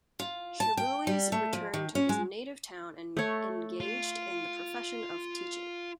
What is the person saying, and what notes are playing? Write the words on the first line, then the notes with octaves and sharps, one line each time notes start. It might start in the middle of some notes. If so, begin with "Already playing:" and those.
Cherbuliez returned to his native town and engaged in the profession of teaching.
F4
A5
G5
G3
A3
F3
D#3
C#4
G#3
A3 C#5
F4